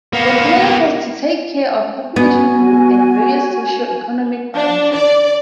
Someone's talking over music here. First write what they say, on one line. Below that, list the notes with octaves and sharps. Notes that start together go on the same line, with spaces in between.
The player has to take care of population growth and various socio-economic balances.
A#3 B3
B3 F#4 G#5
D4
D5